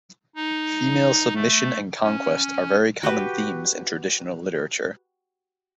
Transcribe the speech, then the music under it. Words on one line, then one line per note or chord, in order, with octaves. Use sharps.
Female submission and conquest are very common themes in traditional literature.
D#4
A3
C#4
F#4 G4 B4